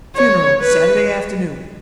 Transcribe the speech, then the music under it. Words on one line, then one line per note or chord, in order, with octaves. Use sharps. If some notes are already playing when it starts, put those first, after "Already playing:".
Funeral Saturday afternoon.
C#5
B4